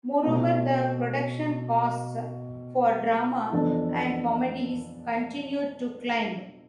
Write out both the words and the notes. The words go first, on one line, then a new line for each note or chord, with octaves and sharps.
Moreover, the production costs for drama and comedies continued to climb.
B2 A3 C4 F4
F2 E3 B3 D4 A4